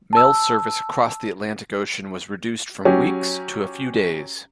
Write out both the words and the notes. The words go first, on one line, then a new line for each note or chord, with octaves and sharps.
Mail service across the Atlantic Ocean was reduced from weeks to a few days.
A5 E6
F#3 C#4 G4